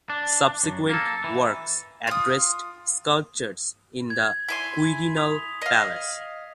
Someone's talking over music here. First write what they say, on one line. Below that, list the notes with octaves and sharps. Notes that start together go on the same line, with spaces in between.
Subsequent works addressed sculptures in the Quirinal Palace.
D4
F#2
A#3 A4
E3
F4 D#6
G#6
E4 G#5 C6 B6
D#6 B6 F7
D#5 F5